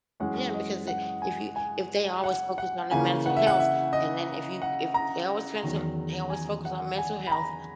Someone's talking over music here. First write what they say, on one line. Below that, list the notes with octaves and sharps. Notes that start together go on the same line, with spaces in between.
Yeah, because i if you if they always focus on their mental health and, then, if you if they always trying to they always focus on mental health
F#2 E3 G#3 C#4 F#5
D#5
F#5
G#5
G#5
F#5
F#5
C#3 E3 A#3 C#4 G#5
F#5
E5
F#5
E5
D#5
F#5
A#5
E2 D#3 F#3
G#5
F#5
G#5
B5
A#5